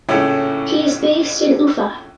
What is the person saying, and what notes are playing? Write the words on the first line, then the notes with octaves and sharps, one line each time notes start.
He is based in Ufa.
A#1 A2 C#3 A3 C#4 E4